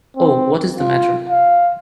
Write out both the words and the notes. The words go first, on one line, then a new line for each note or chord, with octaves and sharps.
Oh, what is the matter?
C4
F4
F5